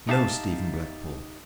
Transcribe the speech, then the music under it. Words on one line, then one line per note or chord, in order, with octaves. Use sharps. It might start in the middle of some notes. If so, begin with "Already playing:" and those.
No Stephen Blackpool.
D#4 G4 E5 F5 A5